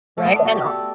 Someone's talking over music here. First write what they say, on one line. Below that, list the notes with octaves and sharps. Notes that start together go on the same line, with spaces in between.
Right, and hon
A3
B3
D4
F#4
G4
A4